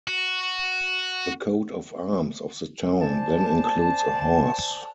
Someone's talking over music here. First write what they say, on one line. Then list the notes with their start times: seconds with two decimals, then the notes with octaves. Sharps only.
The coat of arms of the town then includes a horse.
0.08 F#4
3.02 C5 D5 G#5 A5